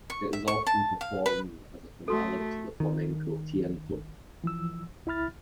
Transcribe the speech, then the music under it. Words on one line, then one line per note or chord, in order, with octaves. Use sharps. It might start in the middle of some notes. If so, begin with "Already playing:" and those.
It is often performed as a finale to a flamenco tiento.
C#6
E5
C#6
A5
F5
B4
A3 F#4 A4
D#3
E3 F3 E6
C#2 E4 E5 B5 F6 A6